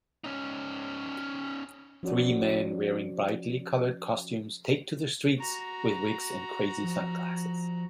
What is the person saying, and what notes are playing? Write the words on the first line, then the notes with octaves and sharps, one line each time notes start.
Three men wearing brightly colored costumes take to the streets with wigs and crazy sunglasses.
C#4 D#4
F3 C#4 F#4 C#5 D5
F#4 A#5
F3